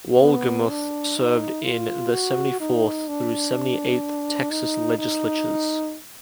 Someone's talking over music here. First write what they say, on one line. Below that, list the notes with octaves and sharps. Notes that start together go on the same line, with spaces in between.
Wohlgemuth served in the Seventy-fourth through Seventy-eighth Texas Legislatures.
B3
D4
D#4
F4
F#4
D#4
D4
D#4
D#4